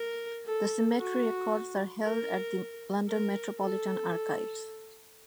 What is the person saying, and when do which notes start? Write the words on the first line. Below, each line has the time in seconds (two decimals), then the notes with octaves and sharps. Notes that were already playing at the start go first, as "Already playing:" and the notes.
The cemetery records are held at the London Metropolitan Archives.
Already playing: A#4
0.46 A4
0.98 F#4
2.03 A#4
3.09 A#4
3.60 A4